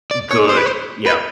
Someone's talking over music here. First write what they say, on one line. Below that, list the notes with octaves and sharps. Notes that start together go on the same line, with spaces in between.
Good. Yep.
D5
C#5
C5
B4
C5
B4